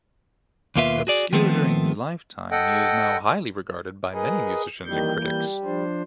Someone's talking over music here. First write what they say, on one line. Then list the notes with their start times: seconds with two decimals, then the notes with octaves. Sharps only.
Obscure during his lifetime, he is now highly regarded by many musicians and critics.
0.76 D#2 B2 A#3 F4 B4 E5
1.07 F#4 G#4 D5
1.33 D#3 F3 A3 B3 C4
2.51 A4 D#5 F#5 G5
4.13 G#4 A#4 B4 D#5
4.86 D#3 E3 G3 A#3 G6
5.19 G3
5.64 F3 D4 C5